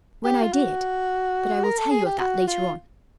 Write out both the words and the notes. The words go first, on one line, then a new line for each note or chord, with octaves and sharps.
When I did--but I will tell you of that later on.
G4
F4
F#4
A#4
A4
G#4
G4
F#4
F4